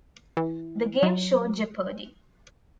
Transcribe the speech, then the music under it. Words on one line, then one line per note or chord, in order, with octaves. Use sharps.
The game show Jeopardy!
E3
F#3